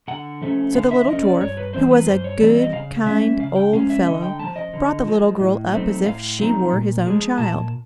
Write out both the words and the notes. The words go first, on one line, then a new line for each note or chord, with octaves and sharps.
So the little dwarf, who was a good, kind old fellow, brought the little girl up as if she were his own child.
D3 F#5
F3 A3 C#4
D3 F5
E5
F3 A3 C#4 D#5
D5
G2 C#5
B4
E3 G3 C4 C5
B4
G2 C5
C#5
E3 G3 C4 D5
D#5
C#3 F5
F3 G#3 C#4 E5
C#3 F5
G5
F3 G#3 C#4 F5
E5
D3 D#5
G5
F3 G#3 A5
D#5
D3
F3 G#3
A2
F#3 A3 C4 D#4
A2 F5
F#3 A3 C4 D#4
A#2
F3 G#3
A#2 A5